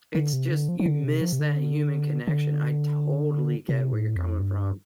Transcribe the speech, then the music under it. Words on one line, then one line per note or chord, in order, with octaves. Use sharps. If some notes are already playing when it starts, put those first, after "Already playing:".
It's just you miss that human connection. I totally get where you're coming from.
D3
C3
D3
F3
F3
D3
C3
F3
C3
D3
D3
C3
A2
F2
G2